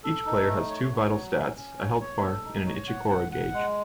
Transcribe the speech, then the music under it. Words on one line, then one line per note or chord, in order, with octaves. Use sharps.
Each player has two vital stats, a health bar and an Ichikoro Gauge.
A4
D#4
A3
C#5
F#3
F#3
C#4
C#4
C#5
C#5
A4
D#4
C#5
F#5
F#5
F#5
G#3